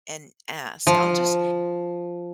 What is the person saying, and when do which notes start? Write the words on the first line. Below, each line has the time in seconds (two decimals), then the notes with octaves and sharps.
and ask, I'll just
0.87 F3